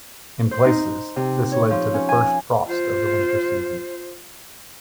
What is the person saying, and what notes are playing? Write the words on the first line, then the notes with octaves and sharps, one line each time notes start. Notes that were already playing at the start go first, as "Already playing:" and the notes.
In places, this led to the first frost of the winter season.
C5
D#4
C3
C#5
F3
C#4
G#5
F4 C5